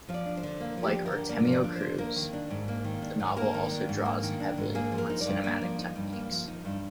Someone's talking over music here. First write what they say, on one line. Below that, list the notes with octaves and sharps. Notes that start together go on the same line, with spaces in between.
Like "Artemio Cruz", the novel also draws heavily on cinematic techniques.
F3 C5
D5
D4
C5
D3
A#3
F3
G4
D4
A#4
D3
A#3 D5
F3
D5
D4
D3 C5
A#3 A#4
D#3
D4
G#2
A#3
D#3
D4
G#2
A#3 A#4
D#3
D4
G#2
A#3
D#3
D4
G#2
A#3 G#4
F3
A#4
D#4
D5
G2
A#3 D5
F3
D#4
G2
A#3
F3
D#4
G2